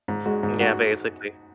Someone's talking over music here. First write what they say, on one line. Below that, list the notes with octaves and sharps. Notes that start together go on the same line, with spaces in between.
Yeah, basically,
G#2
G#3 F#4
G#2
G#3 F#4